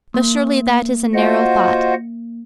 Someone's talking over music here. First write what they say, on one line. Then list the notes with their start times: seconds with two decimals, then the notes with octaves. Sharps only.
But surely that is a narrow thought.
0.14 A#3
1.14 F4 F#4 C5 D#5 F#5